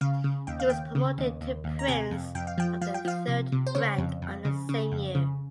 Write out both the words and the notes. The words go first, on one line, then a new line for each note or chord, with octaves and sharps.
He was promoted to Prince of the Third Rank on the same year.
C#3 F5
C#3
D#2 G5
F5
D#2 G5
C#3
D#2
D#2
D#2
A#5
C3 G#5
F2
F2 G5
F5
F3 G5
F3 F5
G5
F3 F5
C3
C3
C5
C#3 C#5
F2
F2
C#3
C#3
F2
C#3